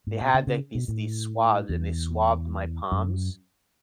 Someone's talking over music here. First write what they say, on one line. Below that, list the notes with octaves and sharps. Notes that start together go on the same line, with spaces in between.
they had, like, these these swabs, and they swabbed my palms,
G#2
B2
C#3
C#3
B2
A2
E2
F#2